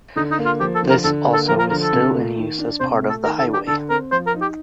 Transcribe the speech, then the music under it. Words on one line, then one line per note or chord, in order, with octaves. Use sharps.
This also is still in use as part of the highway.
D3 D#4
D#4
A#3
F4
F3 G4
A4
D3
A#4
D3 A4
A#3
A4
F3 A#4
A#4
D3 A#4
A4
C3
A3
D#3
D4
C3 C5
A3
A4
D#3 A#4
A4
D4
G4
D3 A4
C4 A#4
F3 C5
A#4
D#4
G4